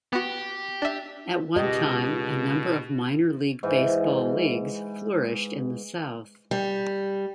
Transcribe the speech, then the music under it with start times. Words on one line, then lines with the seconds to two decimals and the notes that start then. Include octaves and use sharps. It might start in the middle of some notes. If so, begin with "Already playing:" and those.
At one time a number of minor league baseball leagues flourished in the South.
0.13 B3 F#4 G4
0.82 D4 E5
1.56 C#2 B2 G4 D#5
3.63 G#2 E3
6.51 G3